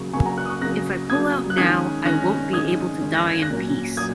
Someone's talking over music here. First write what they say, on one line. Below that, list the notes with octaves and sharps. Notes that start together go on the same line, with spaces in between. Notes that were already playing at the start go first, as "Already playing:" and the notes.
If I pull out now, I won't be able to die in peace.
Already playing: C#3 F#3 A#3 C#6
C#3 F#3 A#3 G#5 C#6
F#5 A#5
C#6 F#6
D#6
C#6 F#6
C#3 F#3 A#3 F#6 A#6
C#3 F#3 A#3 D#6 G#6
F#6
D#3 G#3 C#4 D#6 G#6
D#3 G#3 C#4 F#6 A#6
D#3 G#3 C#4 D#6 G#6
D#3 G#3 C#4
A#6
G#6
F#6 A#6
A#2 F#3 A#3 C#4
A#2 F#3 D#6 G#6